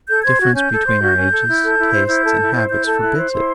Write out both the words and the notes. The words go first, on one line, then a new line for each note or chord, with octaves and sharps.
The difference between our ages, tastes, and habits, forbids it.
A4 G6
C5 G#6
F#4
C#4 G6
A4
C5
F#4
C#4
A4
E4
A4
E4
C5
E4 G6
A4
E4
C5
E4 G6
A4
E4 F#6
C5
E4 C6